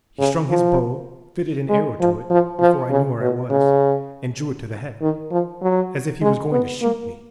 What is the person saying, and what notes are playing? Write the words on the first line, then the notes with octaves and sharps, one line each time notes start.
He strung his bow, fitted an arrow to it before I knew where I was, and drew it to the head as if he was going to shoot me.
C#3
F3
G#3
F3
F3
F3
C#3
B2
C#3
D#3
F3
F#3
G#3
B3
A#3